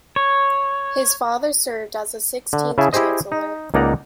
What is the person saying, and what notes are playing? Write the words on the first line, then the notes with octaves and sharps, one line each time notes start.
His father served as the sixteenth Chancellor.
C#5
D3
C#3 E4 G#4 E5 A5
E4 G4 G#4 C5 D#5
D#4
C#2 A#3 D#4 D5 F#5 A#5